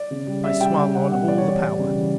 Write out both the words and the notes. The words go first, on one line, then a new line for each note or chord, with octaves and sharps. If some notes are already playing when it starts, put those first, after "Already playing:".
I swung on all the power.
Already playing: D5
C#3
G3
C#3 E5
G3 G5
G3 G5
G3 F#5
B2 F#5
G3 D5
C#5
E3 D5
G3
C#3
E3